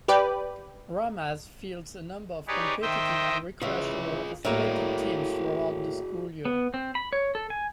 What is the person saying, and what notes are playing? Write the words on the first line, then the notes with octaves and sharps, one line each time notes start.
Ramaz fields a number of competitive and recreational athletic teams throughout the school year.
G4 B4 D5 G5
D#4 G4 G#4 B4 C#5 D5
D#3 C5 D#5 E5 G5
C#3 E3 F4 G#4 F5
A2 A#3 F#4 G#4 D5
B3
C4
B5
C#5
A4
G#5